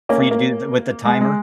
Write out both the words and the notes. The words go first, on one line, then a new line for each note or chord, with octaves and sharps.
for you to do th with the timer.
A#3 C#4
A#3
A#3
G#3
G#3